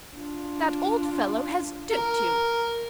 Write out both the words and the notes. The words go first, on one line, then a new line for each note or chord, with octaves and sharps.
That old fellow has duped you!
D4 F4
A#4